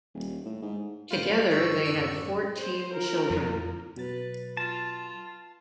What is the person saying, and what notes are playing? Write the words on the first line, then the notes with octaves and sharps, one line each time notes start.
Together they had fourteen children.
D#1
A2
G#2
A1 G3 F4 B4 C5
G1 A#4 C#6 E6
F#2 A2 D4
C5
F4 A#4
F2
B2 F#3 B4 A6
F4 A5